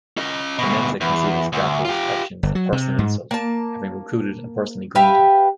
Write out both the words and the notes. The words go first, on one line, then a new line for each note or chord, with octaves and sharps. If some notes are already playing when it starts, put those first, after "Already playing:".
Clemenza considers Gatto's actions a personal insult, having recruited and personally groomed him.
C#4 D#5
D2 B2
E2
D2
F4 G4
G1
F#3
C3
G#2
A#3 A5
G4 B4 E5 F5